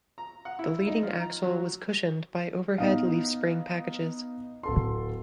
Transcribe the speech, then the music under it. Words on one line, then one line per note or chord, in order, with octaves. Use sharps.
The leading axle was cushioned by overhead leaf spring packages.
A#5
F#5
E4
D#4
F3
A#5
F#3
B3 D#4 F5
D1 A4 C6